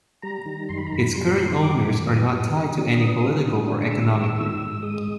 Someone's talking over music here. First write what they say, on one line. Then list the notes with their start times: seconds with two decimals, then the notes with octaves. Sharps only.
Its current owners are not tied to any political or economic group.
0.22 G3 A#5
0.46 D#3
0.69 F#2 C6
0.78 B5
0.87 A#5
0.92 F#2 B5
1.14 G3 C6
1.38 D#3
1.61 F#2 D6
1.84 F#2
2.06 B3 D#6
2.30 G3
2.52 D3
2.76 D4
2.99 B3
3.21 G3
3.45 D3
3.68 D4
3.91 G#3 E6
4.14 D#3
4.36 G#2 E6
4.60 G#2
4.82 G#3 D#6